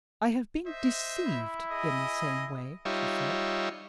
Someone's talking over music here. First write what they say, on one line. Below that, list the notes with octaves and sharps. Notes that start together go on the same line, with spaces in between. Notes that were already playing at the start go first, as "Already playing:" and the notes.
"I have been deceived in the same way," she said.
C5 D#5 E5
E4
G#4 D#5
G3 D#4 F4 C#5 E5